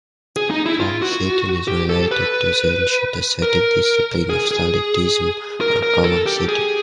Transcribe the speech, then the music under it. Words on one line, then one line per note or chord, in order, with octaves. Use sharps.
Pole sitting is related to the ancient ascetic discipline of stylitism, or column-sitting.
G#4
D#4
E4
F4
F#4
G4
A4
B4
A#4
G#4
G#4
A#4
A#4
A4
G4
G#4